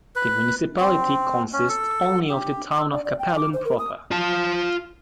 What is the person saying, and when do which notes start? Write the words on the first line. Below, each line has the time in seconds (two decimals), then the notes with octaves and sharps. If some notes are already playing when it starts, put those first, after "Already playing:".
The municipality consists only of the town of Kapellen proper.
0.16 B4
0.80 C4
1.53 C#4
1.69 A4
2.29 G4
2.80 E6
2.92 D5
3.05 D5
3.19 G5
3.36 D6
3.53 C5
3.65 A#4
3.79 D#6
4.11 F4 A5